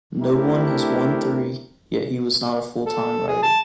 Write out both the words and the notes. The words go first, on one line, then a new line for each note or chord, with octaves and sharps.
No one has won three, yet he was not a full-time writer.
A3 C4 D4 E4 G4 A#4
A4
G#4
A5